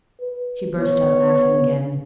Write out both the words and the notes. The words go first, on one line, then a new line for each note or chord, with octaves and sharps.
She burst out laughing again.
B4
B3 C#5